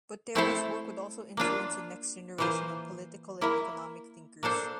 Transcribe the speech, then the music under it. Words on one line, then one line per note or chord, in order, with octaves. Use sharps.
Botero's work would also influence the next generation of political and economic thinkers.
A3 C4 E4 A4 C5
A#3 D4 F4
E3 A#3 F4 C5
A#3 E4 A#4
A#3 D4 A4 C5